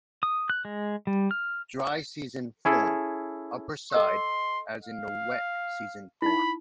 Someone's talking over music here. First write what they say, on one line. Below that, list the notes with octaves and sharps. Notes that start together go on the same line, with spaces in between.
Dry-season form: Upperside as in the wet-season form.
D#6
F#6
G#3
G3
F6
C#4 E4 G#4 A4
A4 D#5 C6 E6
F5
D#4 E4 B5